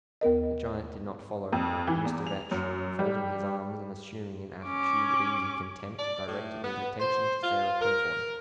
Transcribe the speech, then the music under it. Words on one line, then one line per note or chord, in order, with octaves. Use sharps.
The giant did not follow; and Mr. Vetch, folding his arms, and assuming an attitude of easy contempt, directed his attention to Sarah Purfoy.
D#2 B3 A#4 D#5
F2
E3
E2
F7
F#2
G3
C#4 D6
D5
A2
B3
C5
F4
A#4